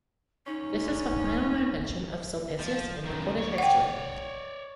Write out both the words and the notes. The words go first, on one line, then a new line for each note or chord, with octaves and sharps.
This is the final known mention of Sulpicius in recorded history.
C#4 D#4
F3
F#2 D#3
C#5 D5
F#5 G5